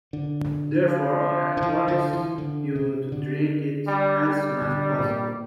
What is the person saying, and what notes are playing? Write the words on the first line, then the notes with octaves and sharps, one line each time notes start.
Therefore I advise you to drink it as soon as possible.
D3
F3
D3
E3
D3
E3
D3
C3
D3
G3
G3
D3
A#2